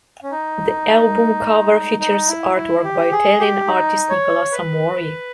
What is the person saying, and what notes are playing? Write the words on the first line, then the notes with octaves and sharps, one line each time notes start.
The album cover features artwork by Italian artist Nicola Samori.
C#4
D#4
D#4
E4
E4
G4
G#4
G4
D#4
C#5
B4